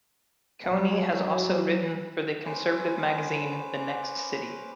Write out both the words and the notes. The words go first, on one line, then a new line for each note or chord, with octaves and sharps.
Coyne has also written for the conservative magazine The Next City.
F#3
C#4 B4 C5 D6